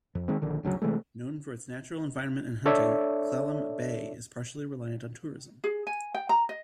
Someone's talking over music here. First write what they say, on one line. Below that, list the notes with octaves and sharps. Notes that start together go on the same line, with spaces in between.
Known for its natural environment and hunting, Clallam Bay is partially reliant on tourism.
F2
D#3 G#3 C4
A#1 D3 D#3
G1 D2 C#3 F#3
C3 E3 G#3 A3
D4 A4 C#5 D5 E5
G#4
G#5
G5
A#5
D#5